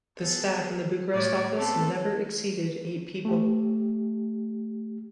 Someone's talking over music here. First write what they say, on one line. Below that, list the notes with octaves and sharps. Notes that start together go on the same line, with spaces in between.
The staff in the Bucharest office never exceeded eight people.
B3 G#4 A4
A2 C#5 D5
A3 B3 C4 A4
A3 G4